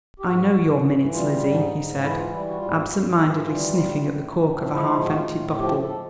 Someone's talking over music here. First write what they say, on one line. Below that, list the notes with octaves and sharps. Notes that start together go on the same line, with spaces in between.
"I know your minutes, Lizzie," he said, absent-mindedly sniffling at the cork of a half-emptied bottle.
G4
G#2 F#4
G#2
E3
G3 F4
G#2
D4
D#4
G#2
E3 E4
F4
G3 E4
F#4
F4
G#2 E4
F4
G#2
E3
G3
A2
A2
F3
G#3 E4
A2
F#4
F4
A2
F3 G4
A4
G#3